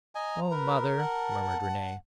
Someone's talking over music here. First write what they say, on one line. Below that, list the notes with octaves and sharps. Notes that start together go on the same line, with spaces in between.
"O mother!" murmured Renee.
D#5 G#5 A#5
A#4 B4
F#5 A5